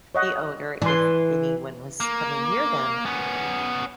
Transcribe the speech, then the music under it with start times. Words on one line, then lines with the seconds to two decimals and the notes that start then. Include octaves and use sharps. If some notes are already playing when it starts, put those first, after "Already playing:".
the owner if anyone was coming near them.
0.15 C#5 D#5 F#5
0.82 E3 D5 G#5 C6
2.00 A#3
3.05 B3 C#4